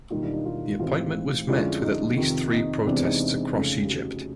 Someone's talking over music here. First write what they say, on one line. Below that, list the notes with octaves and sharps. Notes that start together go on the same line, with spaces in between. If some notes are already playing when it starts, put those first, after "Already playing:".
The appointment was met with at least three protests across Egypt.
E1 D#2 D#3 G3 A#3 D#4 F4
D4 E4
D#4
D#4 F4
A1 A2 E3 G#3 C4 D#4 F4
F2 D3 F3 G#3 C#4 D4 E4
D#4
F2 C3 D#3
D#4
E2 C3 E3 G#3 C4 D4
D#4
F2 C#3 F3 A3 C#4
G4
F#4 G#4